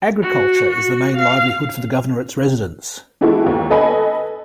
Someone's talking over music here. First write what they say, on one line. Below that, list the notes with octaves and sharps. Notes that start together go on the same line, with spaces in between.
Agriculture is the main livelihood for the governorate's residents.
F#4
F#4
F5
E3 G#3 B3 E4 F#4 A4
D#2 G4
A4 B4 D#5 G#5 B5